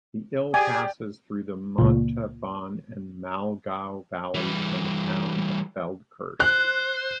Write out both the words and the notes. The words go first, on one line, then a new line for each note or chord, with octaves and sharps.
The Ill passes through the Montafon and Walgau valleys and the town Feldkirch.
G4 G#4 D5 G#5
C#2 A#2
E3 G3
C5 F#6